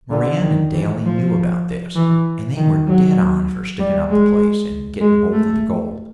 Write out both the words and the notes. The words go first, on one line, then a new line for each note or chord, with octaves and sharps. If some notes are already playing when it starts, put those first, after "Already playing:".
Moran and Daly knew about this, and they were dead on for sticking up the place and getting hold of the gold.
D3
D#3
E3
F3
E3
D#3
F#3
G3
G#3
G#3
A3